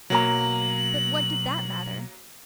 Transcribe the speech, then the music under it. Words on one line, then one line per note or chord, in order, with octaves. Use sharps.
But what did that matter?
B1 F#3 A#3 A#5 F#7